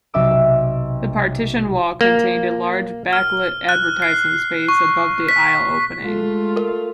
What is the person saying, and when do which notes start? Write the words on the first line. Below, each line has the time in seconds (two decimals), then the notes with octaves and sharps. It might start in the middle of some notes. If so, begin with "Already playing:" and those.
The partition wall contained a large backlit advertising space above the aisle opening.
0.14 B1 C3 E5 D6 E6 D7
2.01 A#3
3.13 F6
3.69 F#6
4.02 C7
4.68 C#6
5.29 B6
6.04 G#3 A3 F4
6.56 A#4